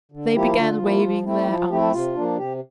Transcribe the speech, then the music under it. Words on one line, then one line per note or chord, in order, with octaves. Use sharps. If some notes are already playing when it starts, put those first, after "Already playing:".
They began waving their arms.
D3
F3 A#3 E4 G4
D3 F4
F3 A#3 E4
F3
A3 C4 E4
F3 E4
F4
A3 C4 E4 G4
A4
C3 F4
F3 A#3 D4
C3 G4